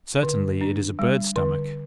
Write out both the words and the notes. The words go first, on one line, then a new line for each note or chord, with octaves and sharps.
Certainly it is a bird's stomach.
D3
D4
G3
D3